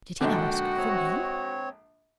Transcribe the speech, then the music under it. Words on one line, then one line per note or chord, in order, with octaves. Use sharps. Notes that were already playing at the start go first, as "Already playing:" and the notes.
'Did he ask for me?
A#1 G#2 D3 F#4 G5
C4 C#5